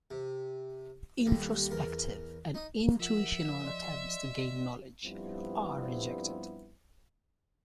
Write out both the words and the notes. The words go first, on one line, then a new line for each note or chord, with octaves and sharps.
Introspective and intuitional attempts to gain knowledge are rejected.
C3
D#2 D3 G3
E2 A#4
D#4 D#6
F3 A#4 E5 F#5
D5 D#5 C6
G2 F3 G3 B3 C4 E4